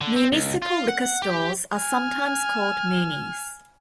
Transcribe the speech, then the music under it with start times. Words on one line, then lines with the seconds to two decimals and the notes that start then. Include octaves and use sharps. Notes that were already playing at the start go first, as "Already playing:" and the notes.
Municipal liquor stores are sometimes called Munis.
0.01 D3
0.16 C4
0.32 C#2
0.62 F4
0.89 F#5
1.22 G4
1.76 G#5 F6